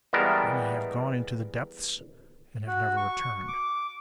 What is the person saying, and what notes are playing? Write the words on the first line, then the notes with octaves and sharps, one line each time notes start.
Many have gone into the depths and have never returned....
E3 G3 G#3 B3 A#4 A5
F#4
C#6
D6